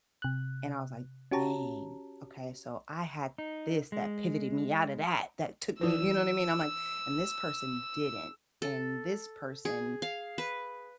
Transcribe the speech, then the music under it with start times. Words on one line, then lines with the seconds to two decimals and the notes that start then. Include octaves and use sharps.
and I was like, "Dang. Okay, so I had this that pivoted me out of that, that took me" you know what I mean? I'm like, "And this person didn't, and this person"
0.22 C3 F#6
1.31 C#4 F#4 G4 C#5 A5 A#5
3.38 D#4
3.92 G#3
5.81 E3 E4 B4 E6
8.62 A4
9.65 G#4
10.02 F5
10.38 B4